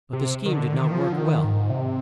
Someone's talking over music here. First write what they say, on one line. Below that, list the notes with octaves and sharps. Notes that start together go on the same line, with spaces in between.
But the scheme did not work well.
C3
D#3
D3
D#3
F3
D3
D#3
G#2
C3